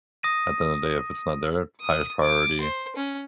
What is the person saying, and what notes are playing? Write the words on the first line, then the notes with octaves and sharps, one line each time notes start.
at the end of the day, if it's not there, highest priority,
D#6 A#6 D#7
D#6
D6
C5
C#4